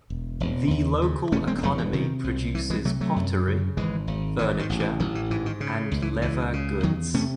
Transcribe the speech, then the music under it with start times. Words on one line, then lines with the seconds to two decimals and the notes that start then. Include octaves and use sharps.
The local economy produces pottery, furniture, and leather goods.
0.10 E1
0.40 E1
0.71 D#2
1.02 C#3
1.32 E1 A3 C#4
1.47 G#3 C4
1.58 C4
1.62 E1 F#3 A3
1.78 E3
1.93 C3 D#3
2.24 C2
2.55 C2 E3
2.70 E3 G#3
2.85 C3 F#3 A3
3.01 F#3 A3
3.16 F#2
3.47 C#3
3.77 G#1 E3 G#3
4.07 G#1
4.39 G#2 E3
4.59 D#3
4.69 A1
4.80 E3
4.99 A1 D#3 F#3
5.15 E3
5.30 G#2 E3
5.46 D#3
5.60 C#3
5.91 C#2
6.02 E3
6.22 C#2 E3
6.53 C#3
6.83 E2 D#3 F#3
7.14 C3 A3 C#4